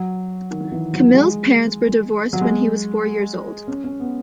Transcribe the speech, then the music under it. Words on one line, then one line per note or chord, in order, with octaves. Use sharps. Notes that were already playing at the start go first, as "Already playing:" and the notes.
Camil's parents were divorced when he was four years old.
Already playing: F#3
D#3
D#3
E3
F#3
F#3
G#3
F#3
G#3
C#4
C#4
B3